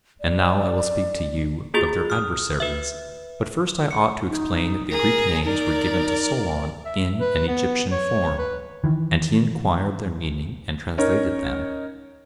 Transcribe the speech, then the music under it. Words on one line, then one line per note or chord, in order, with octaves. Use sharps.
And now I will speak to you of their adversaries, but first I ought to explain that the Greek names were given to Solon in an Egyptian form, and he enquired their meaning and translated them.
D5
A#3 F4 F#4 G#4 A6
D#6 F6
B4 E5
C#7
D#4
G#4 A#4 A#6
D#4 A#4 D5
E5
B4
B3
C#5
B4
D#3 E3
C#4 D#4 A#4 C#5